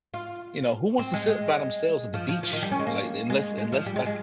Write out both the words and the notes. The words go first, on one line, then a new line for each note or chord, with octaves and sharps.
you know, who wants to sit by themselves at the beach, like, unless unless like
F4
C4
G#3
G#3
F3
F3
F3
D#3
G3
C#4
G#3
A#3
G#3
G#3
F3
G3
G#3
G#3